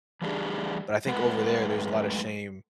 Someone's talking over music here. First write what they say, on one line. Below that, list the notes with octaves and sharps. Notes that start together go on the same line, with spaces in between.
but I think over there, there's a lotta shame
E3 G3 A3 D4 G4 G#4
F#2 G#3 A3 B4 F#5